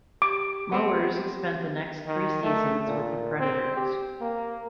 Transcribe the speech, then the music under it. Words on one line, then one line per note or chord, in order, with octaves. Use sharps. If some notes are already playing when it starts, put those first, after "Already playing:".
Mowers spent the next three seasons with the Predators.
G4 D6
B3 C4
D#3
A3
A#2
C4
G4
A#3